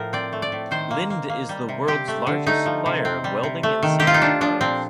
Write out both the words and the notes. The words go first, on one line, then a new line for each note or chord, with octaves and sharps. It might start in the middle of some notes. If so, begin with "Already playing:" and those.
Linde is the world's largest supplier of welding and safety products.
Already playing: A2 F3 A#4
C4 D5
A3
D5
A2
D#3 C5
A#3
A#3
A#3
G3
C3
C4 G4
A3
D3
A3 D#4
F3
C3
C4
G3
C3
A3
D#3
C4 G4
F4
D#4
C4 D4
F3 D4
A#2 C4